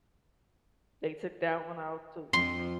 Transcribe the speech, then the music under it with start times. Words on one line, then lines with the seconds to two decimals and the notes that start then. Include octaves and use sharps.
They took that one off too.
2.33 F2 F3 C6